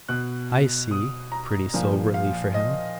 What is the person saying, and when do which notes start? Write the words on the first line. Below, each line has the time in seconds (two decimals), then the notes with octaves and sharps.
"I see," pretty soberly, for him.
0.09 B2 F#6
0.91 D#6
1.32 A#5
1.74 A#2 F3
2.14 F5
2.54 D#5